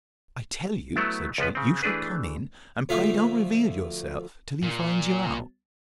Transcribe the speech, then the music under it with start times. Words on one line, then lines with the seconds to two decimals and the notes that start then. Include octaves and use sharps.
I tell you, said she, you shall come in; and pray don't reveal yourself till he finds you out.
0.96 F#3 A3 B3 E4
1.38 C#2 F3 B3 B4
1.55 C#3 C4
1.83 E3 A3 D4 G#4 B4
2.89 D2 F3 A3 E5 F5
4.63 A#2